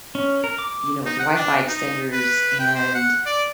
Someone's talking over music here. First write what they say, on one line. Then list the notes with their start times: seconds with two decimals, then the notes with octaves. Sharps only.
you know, with the Wi-Fi extenders, and,
0.15 C#4
0.44 A#4
0.59 D6
1.06 D#4
1.19 F#5
1.35 D4
1.68 D#4
2.13 B4
2.60 G5
2.75 C5
2.95 F#5
3.26 D5